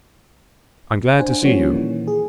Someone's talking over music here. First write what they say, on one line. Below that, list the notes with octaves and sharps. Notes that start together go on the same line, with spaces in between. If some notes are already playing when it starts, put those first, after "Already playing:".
I am glad to see you.
D4 C5 F#5 G#5
F3 G3 A#3 C#4 F#4 C#5
A#2 D#3 E3
G#4